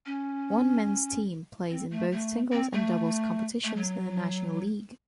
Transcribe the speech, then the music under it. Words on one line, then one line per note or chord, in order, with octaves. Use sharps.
One men's team plays in both singles and doubles competitions in the National League.
C#4
C4
A3
A3
C4
A3
A3
F#3